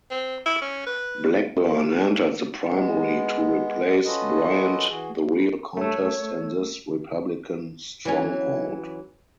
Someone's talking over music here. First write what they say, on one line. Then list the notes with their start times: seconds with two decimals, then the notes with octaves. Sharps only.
Blackburn entered the primary to replace Bryant-the real contest in this Republican stronghold.
0.11 C4
0.46 E4
0.61 C#4
0.86 B4
2.71 G#3 B3
4.05 C#4 F4 F#4 A4 B4 D#5
4.88 E3 F#4 G#4
5.77 A3 C#5 E6
8.05 E3 F#3 C#4